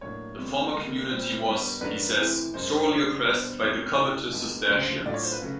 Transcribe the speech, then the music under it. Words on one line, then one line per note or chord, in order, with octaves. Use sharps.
The former community was, he says, sorely oppressed by the covetous Cistercians.
A2 F#3 A#3 D4 C#5
D2 C3 D#3 G3 B3
D3 G3 A#3 D#5
A#2 G3 C4 C5
G2 D#3 G3 B3
F#2 D#3 F#3 A3 D4 B4
C3 E3 A3 C4 E4
F#2 D#3 G#3 C5
C#3 F#3 A3 D4
B2 G3 B3 D4 C5
E2 C3 D#3 G3 C#5
C#3 E3 A3 D5
G2 D#3 G#3 B3
D2 C#3 F#3 C5
A2 F#3 A3 D4 F4 D5
C#5
C5
B4
C#3 F#3 A3